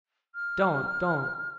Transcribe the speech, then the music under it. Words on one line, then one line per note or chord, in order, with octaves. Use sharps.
'Don't, don't!
F6